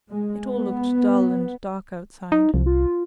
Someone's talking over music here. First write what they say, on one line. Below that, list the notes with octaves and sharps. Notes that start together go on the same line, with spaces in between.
It all looked dull and dark outside.
G#3
B3
D#4
C2 F3
F4